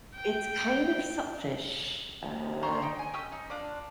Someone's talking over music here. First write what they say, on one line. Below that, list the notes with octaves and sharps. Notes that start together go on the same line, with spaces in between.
it's kind of selfish, uh
G5
C5 A#5 C6 C#6
D#4 G5
G#5
C#4 G4 D#5 E6
D#4
D4 F4 D5